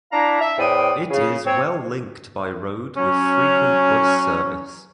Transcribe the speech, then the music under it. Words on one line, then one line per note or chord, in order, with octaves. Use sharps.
It is well-linked by road with frequent bus service.
D4 E4 F5 A5 A#5
E5
E2 A2 C5 D5 G5 D#6
C#3
C4 C#5
F#3 C#4